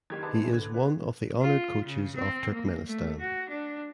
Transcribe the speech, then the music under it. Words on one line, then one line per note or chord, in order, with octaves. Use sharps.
He is one of the honored coaches of Turkmenistan.
F#1 D#3 G4 G#6
G#3 B3 D4 A5
B2 E3
D3 G#6
B4
F4
C#3
C4
A#3
A3
F#4
D4